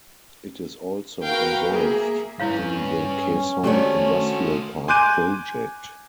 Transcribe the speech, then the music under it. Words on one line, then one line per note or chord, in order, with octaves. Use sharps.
It is also involved in the Kaesong Industrial Park project.
F#4 A#4 B4 F5 G5
A#3 G#4 E5
G2 C#4 E4 B4 C#5 F5
A3 D4 F#4 G4 C5 C#5
G#5 C6 D6 F#6 G6 D#7